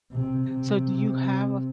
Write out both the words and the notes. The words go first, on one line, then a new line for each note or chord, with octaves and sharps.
So do you have a f
C3
C3